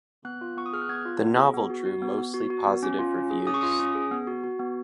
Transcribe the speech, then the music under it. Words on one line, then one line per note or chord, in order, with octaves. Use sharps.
The novel drew mostly positive reviews.
B3 F#6
F4
B3 C#6
D#6
G#4 F6
F#6
B3 G#6
F4
B3
G#4
B3
F#4
F#4
B3
B3
F#4
F#4
B3
C#4
F4
C#4
G#4
C#4 D#6
C#6
F4 D#6
C#4
G#4
B3
F#4
F#4
B3